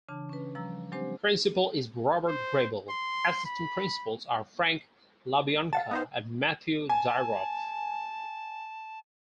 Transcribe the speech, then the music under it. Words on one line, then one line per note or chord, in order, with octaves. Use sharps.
Principal is Robert Grable; assistant principals are Frank LaBianca and Matthew Dyroff.
C#3 E3 D4 A5
C#4 B4
F3 G3 A#5 E6
F#3 G#3 C4 D4 G4 C5
C5
C6
B5
F5 F#5 A5 A6
B3 D#4 C5
G#5 A5